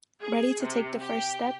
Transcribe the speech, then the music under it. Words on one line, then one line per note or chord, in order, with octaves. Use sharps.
Ready to take the first step?
G#4
C3
G4